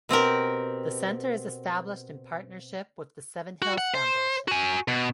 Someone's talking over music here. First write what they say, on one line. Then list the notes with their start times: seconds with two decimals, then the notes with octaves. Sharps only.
The Centre is established in partnership with the Seven Hills Foundation.
0.09 B2 C4 G4 A#4
3.62 F#4
3.78 F#5
3.94 C5
4.48 F#4 G#5
4.88 B2